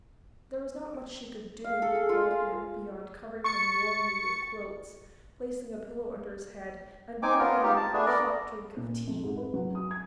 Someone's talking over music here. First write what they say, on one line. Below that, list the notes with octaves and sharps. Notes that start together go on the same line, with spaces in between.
There was not much she could do for him beyond covering him warmly with quilts, placing a pillow under his head, and brewing him a hot drink of tea.
F5
A4
G#4
F4
F5
C#6 A6 C#7
C4 D#4 G#5 D6
B3 F4 A#4
D#4 F4 G4
A5
A3 B3 D4 G#4
B3 A#4 D5
A#2
F2
G#2
B4
F#3
D#6
G#6